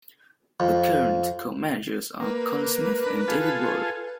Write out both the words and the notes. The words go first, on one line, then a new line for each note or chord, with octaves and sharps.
The current co-managers are Colin Smith and David Brolly.
F2
A#3 B4
D4 A#4
F4 G#4 A4